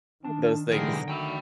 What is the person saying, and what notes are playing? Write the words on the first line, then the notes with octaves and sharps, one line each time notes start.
Those things.
D#3 D4 A5
B1 D3 E3 G#3 G4 G#4 A#4
D#3 F#3 A3 G5 B5